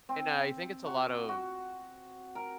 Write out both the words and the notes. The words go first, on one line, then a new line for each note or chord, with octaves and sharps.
and I think it's a lot of
C4
F#4
F#4
A#4